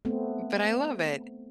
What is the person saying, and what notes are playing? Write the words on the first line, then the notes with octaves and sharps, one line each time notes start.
but I love it.
A3 B3 C4